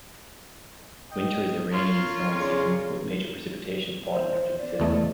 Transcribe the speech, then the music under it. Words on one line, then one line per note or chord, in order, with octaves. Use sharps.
Winter is the rainy and snowy season, with major precipitation falling after December.
D#5 G5
F4 A#4 C#5 C6
C#3 D5 C6
C5
D5
E2 A3 D#5